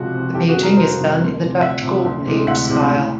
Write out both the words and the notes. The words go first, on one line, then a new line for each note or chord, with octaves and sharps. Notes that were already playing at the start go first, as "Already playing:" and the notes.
The painting is done in the Dutch Golden Age style.
Already playing: C#2 C3 F3 F#4
C3 F3
F2 G4 A4
F#4 G#4
C3 D#3 G3
G#4 A#4
F2 A#4 C5
C3 D#3 G3
D2
C3 F3
D2 E5 F#5
C3 F3
D2
C3 E3 G#3
D2 E5 F#5
C3 E3 G#3
A2